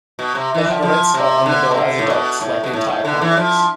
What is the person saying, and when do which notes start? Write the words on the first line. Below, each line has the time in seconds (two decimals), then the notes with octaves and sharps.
They have a red spot on the bill as adults, like the entire complex.
0.19 B2
0.35 C3
0.54 E3
0.67 F3
0.82 F3
1.14 C3
1.46 D3
1.71 C3
1.77 D3
1.99 A2
2.10 B2
2.41 A2
2.64 B2
2.73 A2
2.89 A2
3.05 D3
3.21 E3
3.37 F3